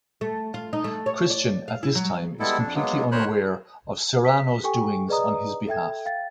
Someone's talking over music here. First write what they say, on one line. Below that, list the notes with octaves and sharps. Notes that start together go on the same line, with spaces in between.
Christian, at this time, is completely unaware of Cyrano's doings on his behalf.
A3
F4
D#4
A3
C#5
D5
F5
E4
F#3
G3 G#3 B3 E4 A4
F2 D4
F#3 G#3 A#3 B3
D2 A#4 C5 C#5 B5 F#6
B6
G4 A4 G5 G#5 C#6
G#4 B4 D5 D#5 A#5 D#6
A4 E5 G5 G#6
F5 G5 A6